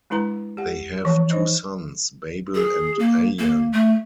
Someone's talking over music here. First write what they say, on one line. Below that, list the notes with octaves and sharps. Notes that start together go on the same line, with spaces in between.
They have two sons, Babil and Ayan.
G#3 D4 E4 B4 A#5
G4 F#5
E3 F3 C#5
E3 D#4 C5 D#5
G#4
A#3
A#3
A3